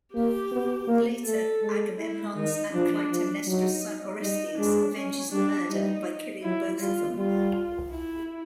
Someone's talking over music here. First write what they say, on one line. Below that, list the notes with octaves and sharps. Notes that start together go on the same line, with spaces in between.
Later Agamemnon's and Clytemnestra's son Orestes avenges the murder by killing both of them.
A#3 G4
B3
A#3
A3 A4
G#3
E4
D#3 D#4
F3 D4
F3
F#3 D#4
G3 D#4
G#3 D4
C#4
G3 D4
G3 D#4
F#3 E4
G3 F4
G3 F4
E4